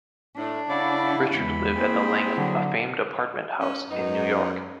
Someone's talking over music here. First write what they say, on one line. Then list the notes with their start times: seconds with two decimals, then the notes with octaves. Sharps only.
Ritchard lived at The Langham, a famed apartment house in New York.
0.38 A2 D4
0.69 C#3 C#4 E4 D5 F5 F#5 B5
1.35 E2 E3 G#3 B3 B5
1.76 A#3 C4 E4 G#4
2.36 D3 F#3
3.59 C#4
3.90 F#2 B3 D#4